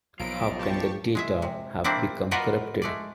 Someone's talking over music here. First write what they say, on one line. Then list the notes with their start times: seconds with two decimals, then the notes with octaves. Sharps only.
How can the data have become corrupted?
0.20 B1 F3 F4 A#4 D7
0.59 G4 A5 C#6
1.15 G#3 G#4 E5
1.42 C3
1.84 A#3 C4 D4 E4
2.31 F4 F#4 A#4 B4 D5 D#5
2.82 G#3 A3 D5